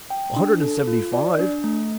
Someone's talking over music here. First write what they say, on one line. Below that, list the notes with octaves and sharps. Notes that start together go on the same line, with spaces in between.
"A hundred and seventy-five."
G5
D4
A4
F4
D5
D4
A3